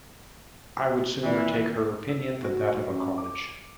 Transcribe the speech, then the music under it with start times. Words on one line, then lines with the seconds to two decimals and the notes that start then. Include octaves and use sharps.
I would sooner take her opinion than that of a college.
1.23 D#3 E3 C4 D5
2.09 E6
2.43 F#4
2.88 F#2
3.18 D6